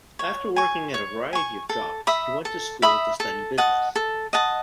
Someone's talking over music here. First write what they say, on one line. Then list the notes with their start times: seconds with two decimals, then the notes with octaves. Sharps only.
After working at a variety of jobs, he went to school to study business.
0.19 C#5
0.56 G#5 C#6
0.94 C#5
1.33 G#5 C#6
1.69 A4
2.07 E5 B5 D#6
2.45 A4
2.82 E5 B5 D#6
3.20 A4
3.58 D#5 F#5 A5
3.96 A4
4.33 D#5 F#5 A5